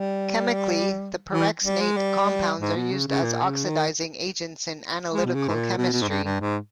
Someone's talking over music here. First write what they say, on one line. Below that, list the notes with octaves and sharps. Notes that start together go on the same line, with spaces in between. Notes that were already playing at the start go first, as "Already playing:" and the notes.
Chemically, the perxenate compounds are used as oxidizing agents in analytical chemistry.
Already playing: G3
E3
G3
G#3
G3
G#2
B2
C#3
C#3
A#2
C#3
D#3
G#3
B2
C#3
G#2
A#2
B2
B2
G#2
G2
G2
G#2